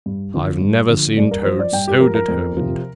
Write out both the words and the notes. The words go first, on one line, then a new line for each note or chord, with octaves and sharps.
'I've never seen Toad so determined.
G2
D3 F3
G2
D3 F3
G2 D5
A#4
F3 C5
D5
G2 G5
G4
F3 A#4
A#4
F2
C3 F3